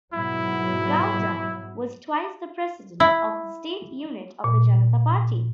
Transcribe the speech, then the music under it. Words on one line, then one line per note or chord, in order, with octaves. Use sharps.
Gowda was twice the President of state unit of the Janata Party.
G#2 B2 F#3 E4
E4
A#2